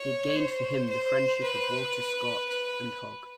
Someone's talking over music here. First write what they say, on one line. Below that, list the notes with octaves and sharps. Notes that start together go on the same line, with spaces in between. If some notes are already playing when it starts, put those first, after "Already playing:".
It gained for him the friendship of Walter Scott and Hogg.
Already playing: C#5
C5
C5
B4
B4